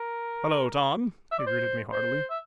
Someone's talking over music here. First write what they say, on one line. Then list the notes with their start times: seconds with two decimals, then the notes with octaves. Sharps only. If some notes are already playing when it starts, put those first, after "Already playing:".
"Hello, Tom," he greeted me heartily.
Already playing: A#4
1.32 E5
1.39 D5
1.47 C5
1.93 C5
2.30 E5